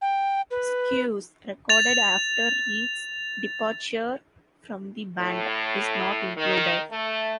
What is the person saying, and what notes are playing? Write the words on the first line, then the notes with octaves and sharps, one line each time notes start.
"Squeeze", recorded after Reed's departure from the band, is not included.
G5
B4
A6 F7
A2
D#3
A3